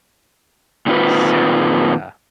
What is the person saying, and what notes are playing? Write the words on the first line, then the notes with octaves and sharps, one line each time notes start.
Exactly, yeah.
A#2 D#3 C4 E4 F4 B4